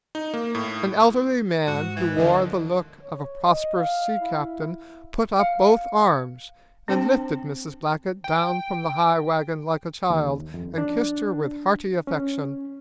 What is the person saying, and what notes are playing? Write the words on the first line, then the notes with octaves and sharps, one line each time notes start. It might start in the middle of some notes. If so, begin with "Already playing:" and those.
An elderly man who wore the look of a prosperous sea-captain put up both arms and lifted Mrs. Blackett down from the high wagon like a child, and kissed her with hearty affection.
D#4
A#3
A2
G#2 F#4
E3
D#2 D3 F3 A#4 D#5
C#5
D#5
F5
E4
F5 C#7
C4 D4 C5 G5 A5
G5
D#2
F2
D4
C#4